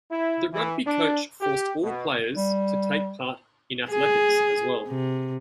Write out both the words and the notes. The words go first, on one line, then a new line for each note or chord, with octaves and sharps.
The rugby coach forced all players to take part in athletics as well.
E4
E3
D4
G4
B2
G3
G#4
C3